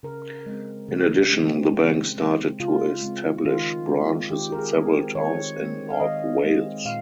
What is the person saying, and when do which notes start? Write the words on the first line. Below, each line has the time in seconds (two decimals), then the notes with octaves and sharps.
In addition the bank started to establish branches in several towns in North Wales.
0.03 C#3 A#4
0.46 G#3 C4
0.88 C#3
1.31 G#3 C4
1.74 C#3
2.17 G#3 C4
2.60 C#3 F4
3.02 G#3 C4
3.45 D#3 F4
3.87 G#3 C4
4.30 D#3 G4
4.52 A#4
4.58 G#4
4.73 G#3 C4
5.15 D#3 C#5
5.58 G#3 C4
5.90 F5
6.00 D#3 D#5
6.44 G#3 C4
6.85 A#2 F5